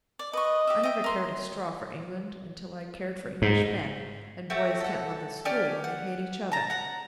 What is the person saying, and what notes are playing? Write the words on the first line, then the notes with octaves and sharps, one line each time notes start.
I never cared a straw for England until I cared for Englishmen, and boys can't love the school when they hate each other.
D5
B4 D#5 C#6
G4 E5
D#5 E5 G5
A#4 C6
G#2
A3 C4 F#4 G4
A4 F#5
C#4 G4 D5 F6
F#5
A5 A#5
F#5 A#5